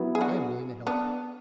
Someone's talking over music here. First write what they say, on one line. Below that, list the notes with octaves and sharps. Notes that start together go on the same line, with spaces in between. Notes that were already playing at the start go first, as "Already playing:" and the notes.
I am willing to help you.
Already playing: F#3 B3 E4
G#4
D4 F#4
B3 D4